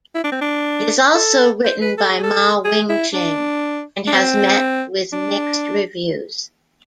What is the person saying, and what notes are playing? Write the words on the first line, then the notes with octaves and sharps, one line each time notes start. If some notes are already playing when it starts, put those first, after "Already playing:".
It is also written by Ma Wing-shing and has met with mixed reviews.
E4
D4
C4
D4
A4
C5
B4
A4
G#4
A4
G#4
E4
D4
D4
C4
D4